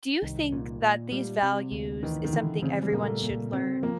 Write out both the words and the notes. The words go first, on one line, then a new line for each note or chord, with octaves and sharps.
do you think that these values is something everyone should learn?
C2 D#3
A#2
A#2
G3
C3
D2
D#3 E3
D#3
D3 E3
C#3 C4
G3
A#2 A#3
A3
A#2
C4
F3 A#3